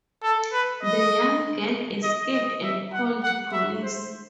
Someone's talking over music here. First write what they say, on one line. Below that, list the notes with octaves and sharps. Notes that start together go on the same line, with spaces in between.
The young girl escaped and called police.
A4
B4
D#5
D#5
D#5
E5
F#5
F#5
E5
C5